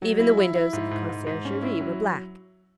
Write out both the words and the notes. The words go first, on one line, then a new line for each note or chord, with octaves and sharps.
Even the windows of the conciergerie were black.
F#3
E4
E4
E4
G#2
G#2
G#2
G#2
C#4
E4
F#3